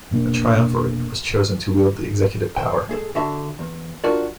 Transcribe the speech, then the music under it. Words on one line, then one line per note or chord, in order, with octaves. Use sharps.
A Triumvirate was chosen to wield the executive power.
F1 B2 A#3 D4
F3 C5 G5
G#3 G#4 A4
D3 F#4 E5 A5
E2
D4 F4 F#4 A#4 D5